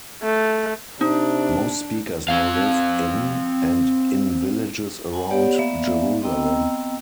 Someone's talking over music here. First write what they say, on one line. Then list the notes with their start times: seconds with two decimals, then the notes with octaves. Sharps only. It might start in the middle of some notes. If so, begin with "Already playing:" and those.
Most speakers now live in and in villages around Jerusalem.
0.23 A3
1.01 C3 D4 D#4
2.28 C4 F5
5.14 F#5 G#5
5.30 B3 G4 C#5 D5 F#5
5.57 A#3 B3 D5 E5 F5
6.21 B3 C4 D#5 G5 A#5 E6